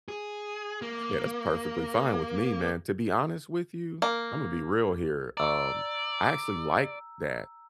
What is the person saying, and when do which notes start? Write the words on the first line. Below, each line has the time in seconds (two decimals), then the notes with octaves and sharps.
Yeah. That's perfectly fine with me, man. To be honest with you, Imma be real here, um, I actually like that.
0.08 G#4
0.82 A#3
4.02 A#3
5.37 D5 A#5 E6